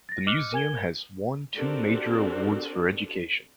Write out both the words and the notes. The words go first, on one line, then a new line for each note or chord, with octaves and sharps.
The museum has won two major awards for education.
A6 A#6
D#5 D6 F6 F#6 C#7
A#4 G#5 G#6 G7
C4 D4 F#4 G4 A4 A#4